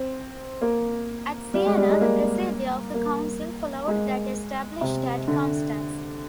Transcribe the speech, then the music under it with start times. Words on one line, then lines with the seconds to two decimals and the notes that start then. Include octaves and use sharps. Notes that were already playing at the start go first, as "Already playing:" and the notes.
At Siena, the procedure of the Council followed that established at Constance.
Already playing: C4
0.61 A#3
1.54 G3
1.66 G#3
1.77 G3
1.89 G#3
2.01 A#3
2.94 A#3
3.88 G#3
4.81 C3
5.28 D3